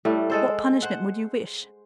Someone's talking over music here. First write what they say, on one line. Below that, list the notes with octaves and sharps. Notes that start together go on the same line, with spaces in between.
"What punishment would you wish?"
A2 G3 A3
G#3 A4 C5
C5 F#5